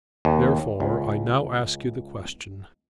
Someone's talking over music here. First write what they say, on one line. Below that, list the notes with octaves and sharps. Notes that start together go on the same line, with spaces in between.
Therefore I now ask you the question.
D#2
C#2